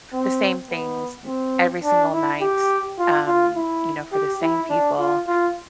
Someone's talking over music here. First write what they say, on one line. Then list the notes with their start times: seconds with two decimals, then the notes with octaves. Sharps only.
the same things n every single night, um, you know, for the same people,
0.13 C4
0.70 B3
1.26 C4
1.84 D4
2.13 E4
2.41 G4
2.99 F4
3.26 F4
3.55 E4
4.13 G4
4.42 E4
4.70 D4
4.99 F4
5.28 F4